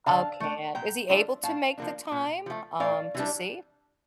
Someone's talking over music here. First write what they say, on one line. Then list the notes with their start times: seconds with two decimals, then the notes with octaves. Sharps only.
Okay. Uh, is he able to make the time, um, to see?
0.06 D3 F5 A5
0.40 A3 D4
0.75 A#2 G5 A#5
1.09 F3 A3 D4
1.43 A2 F5 A5
1.78 F3 A#3 D4
2.12 A#2
2.46 F3 A3
2.80 A2 D5 F5
3.15 E3 G3 D4